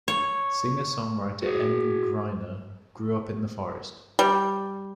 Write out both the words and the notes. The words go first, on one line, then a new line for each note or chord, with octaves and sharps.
Singer-songwriter Emm Gryner grew up in Forest.
C#5
F#4 G#4
G3